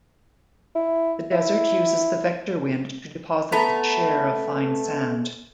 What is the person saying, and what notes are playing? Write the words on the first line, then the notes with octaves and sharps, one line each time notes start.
The desert uses the vector wind to deposit its share of fine sand.
E4
E4
A3 B3 A#5